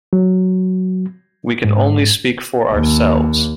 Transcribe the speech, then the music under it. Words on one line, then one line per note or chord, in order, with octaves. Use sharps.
We can only speak for ourselves.
F#3
G#2
D#2